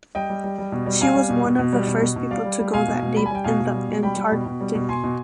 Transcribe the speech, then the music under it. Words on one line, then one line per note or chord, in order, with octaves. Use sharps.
She was one of the first people to go that deep in the Antarctic.
G3 D#5 G5
G3
G3
G3
B2
G3
G3 F5 G#5
G3
B2
B2
B2
G3
B2
B2
B2
G3 D5 F5
G3
G3
B2 F5 G#5
B2
B2
G3 B5
G#5
G3 G5
B2 F5 G#5
B2
G3
B2
G3 G5 B5
G3
B2
B2
G3
B2
B2 G#5 C6
B2